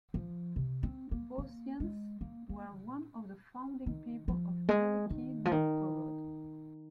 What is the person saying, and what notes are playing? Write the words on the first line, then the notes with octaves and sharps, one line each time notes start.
Votians were one of the founding people of Veliky Novgorod.
F3
C3
C4
A#3
A#3
G#3
A#3
A#3
A#2
D#3
F3
G#3
D#3
F3
D#3